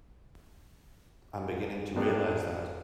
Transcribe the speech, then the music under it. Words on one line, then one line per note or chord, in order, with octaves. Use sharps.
I'm beginning to realize that.
D#3 F#3 A3 B3 D4 A5